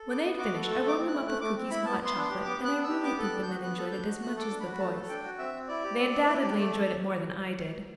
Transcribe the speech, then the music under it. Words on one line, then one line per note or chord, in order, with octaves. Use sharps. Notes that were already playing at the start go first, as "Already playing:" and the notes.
When they had finished, I warmed them up with cookies and hot chocolate, and I really think the men enjoyed it as much as the boys; they undoubtedly enjoyed it more than I did.
Already playing: A4
B3 D6
B3
F#4 D6
A4
A3 E6
A3
D6
C4
E4 F#6
A3 F#6
A3 D6
C4
E4 B5
B3 A5
B3
C6
D4
C6
G4
B3 D6
B3
F#6
D4
E6
G4
B3 D6
A4 F#6
D4
G6
F#4
B3 F#6
A4
D4 G6
F#4
A3 F#6
A4 D6
D4
B5
F#4
B5
A3 A5
A4
D4 G5
F#4
C4 E5
C4
E4 D5
G4
C4
C4
E4
G4
A3
A4